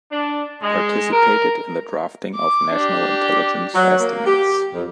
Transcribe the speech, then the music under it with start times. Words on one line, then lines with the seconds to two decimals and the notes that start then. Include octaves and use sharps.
He participated in the drafting of National Intelligence Estimates.
0.12 D4
0.62 G#3
1.12 A#4
2.35 D6
2.73 D4 G4
3.75 F#3
4.00 A#3
4.26 G4
4.73 F2